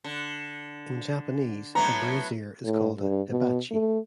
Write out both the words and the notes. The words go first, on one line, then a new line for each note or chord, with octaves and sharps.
In Japanese, a brazier is called a "hibachi".
D3
A2 F#3 B3 A#5
A2
G2
B2
A3